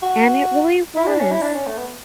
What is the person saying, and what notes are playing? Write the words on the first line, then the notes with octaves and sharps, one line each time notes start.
and it really was.
F#4
E4
D4
C#4
E4
D4
C#4
A3
B3